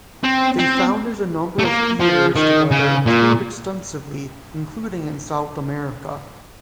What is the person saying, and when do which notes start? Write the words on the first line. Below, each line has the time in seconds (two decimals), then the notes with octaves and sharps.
They founded a number of theatres together and toured extensively, including in South America.
0.24 C4
0.59 C4
1.59 A3
1.65 A#3
2.00 F3
2.36 D#3
2.71 C#3
3.06 A#2